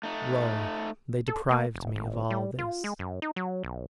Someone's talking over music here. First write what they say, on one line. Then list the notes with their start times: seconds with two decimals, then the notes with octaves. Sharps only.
Lo! they deprived me of all this.
0.03 A3 D#4
1.28 A4
1.51 A#3
1.75 F1
1.96 G#1
2.30 G3
2.59 F4
2.84 G#3
2.99 F#2
3.22 D#4
3.36 F#3
3.63 B1